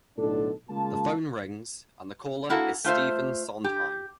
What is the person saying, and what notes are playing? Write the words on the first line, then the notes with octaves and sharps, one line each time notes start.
The phone rings, and the caller is Stephen Sondheim.
B1 A2 D3 D4 D#4 A4
C#3 G#3 A#3 F4 A5
A#3 E4 F#4 A4
A3 F4 C5 E5
G4